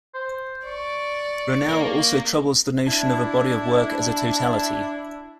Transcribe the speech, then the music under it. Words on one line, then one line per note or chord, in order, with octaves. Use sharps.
Ronell also troubles the notion of a body of work as a totality.
C5
D5 C#6
A#3 A#4
D4 E4